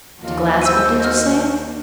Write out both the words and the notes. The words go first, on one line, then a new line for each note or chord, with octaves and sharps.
To Glasgow, did you say?
D#2 F4 F#4
C5 E6 D#7
D#5 F6